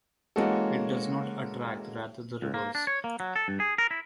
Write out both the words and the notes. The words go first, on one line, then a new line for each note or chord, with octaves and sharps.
It does not attract, rather the reverse.
E3 G#3 A#3 C#4 F#4 A4
C#2
A#3
D4
C#5
A#3
F#3
A4
G2
G#4
A#4
E4